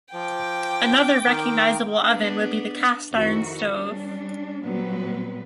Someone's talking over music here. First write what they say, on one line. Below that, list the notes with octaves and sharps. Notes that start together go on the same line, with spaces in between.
Another recognizable oven would be the cast-iron stove.
F3 G5 D6
D#3 A#4
B3 D4
F2 D#3 E4 F#4 A#4
G3 C#4 D4
A#2 F#3 G3 B3 C4 B4